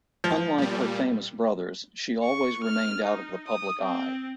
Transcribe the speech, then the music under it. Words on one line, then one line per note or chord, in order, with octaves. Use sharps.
Unlike her famous brothers, she always remained out of the public eye.
F3
A#2 G3
C#6
F6
D#4
D#6
C4